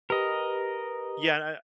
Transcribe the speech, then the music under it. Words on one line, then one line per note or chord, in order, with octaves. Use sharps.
yeah, and, I
G4 A#4 B4 D#5